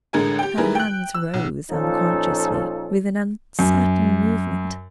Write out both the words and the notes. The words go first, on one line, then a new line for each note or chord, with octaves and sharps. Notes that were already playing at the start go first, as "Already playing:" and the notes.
Her hands rose unconsciously, with an uncertain movement.
A1 D3 G#3 G#4 A#4 G#5
G4 G5
D#3 G3 E4 G#4 A#4 B4
G5 F#6
E6
B1
A#2 F3 C#4 D#4 A4
F#2